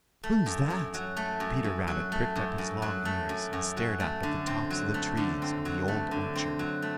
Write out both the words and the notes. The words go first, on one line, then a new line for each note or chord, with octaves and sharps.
"Who's that?" Peter Rabbit pricked up his long ears and stared up at the tops of the trees of the Old Orchard.
A3
F#2
F#2
F#3
A3
F#2
F#2
F#3
A3
F#2
F#2
F#3
A3
F#2
F#2
F#3
A3
D3
C4
F#3
A3
D3
C4
F#3
A3
D3
C4
F#3
A3